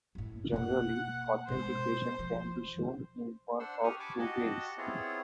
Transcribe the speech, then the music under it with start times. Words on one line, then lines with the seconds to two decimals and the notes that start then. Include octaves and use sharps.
Generally, authentication can be shown in one of two ways.
0.15 F#2 A2
0.54 B2 A#3 F#5
1.48 B2 G#3 C5
2.19 F3
3.60 D4 C5 F#5 C6 E6
3.84 G4 C#6 D#6 F6
4.00 G#5 A5 B5 C#6 D6
4.19 F#4 G4 D#5 F#5 A5
4.78 B3 C4 E4 F4 G#4 C#5